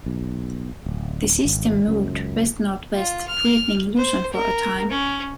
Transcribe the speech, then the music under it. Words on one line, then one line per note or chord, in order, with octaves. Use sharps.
The system moved west-northwest, threatening Luzon for a time.
B1
D1
G#1
C#2 F#2
F4
F6
C5
A#4
C#4